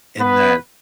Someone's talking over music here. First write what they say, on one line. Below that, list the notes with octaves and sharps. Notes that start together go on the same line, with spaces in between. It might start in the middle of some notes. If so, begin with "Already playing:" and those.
and that,
B3 B4